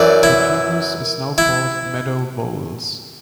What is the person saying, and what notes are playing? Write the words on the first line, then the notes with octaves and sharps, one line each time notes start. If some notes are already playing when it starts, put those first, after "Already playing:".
The genus is also called "meadow voles".
Already playing: F#2 E3 D5
E4
E4